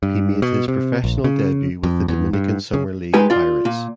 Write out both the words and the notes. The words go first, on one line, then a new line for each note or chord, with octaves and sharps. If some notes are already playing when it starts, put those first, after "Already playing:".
He made his professional debut with the Dominican Summer League Pirates.
G2
B2
C3
A#1
C#3
F2
E2
G2
C#3
G#3 D#4 G4 B4 G#5
F4 D5
A#2